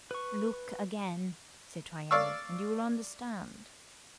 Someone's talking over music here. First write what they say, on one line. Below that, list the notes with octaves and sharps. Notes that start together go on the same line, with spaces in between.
"Look again, citoyenne, and you will understand."
B4 C#6
D5 F5 C#6 E6